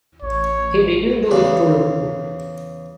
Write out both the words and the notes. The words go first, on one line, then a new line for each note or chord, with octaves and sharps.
He didn't do it to look cool.
A1 C#5
E2 C#3 D5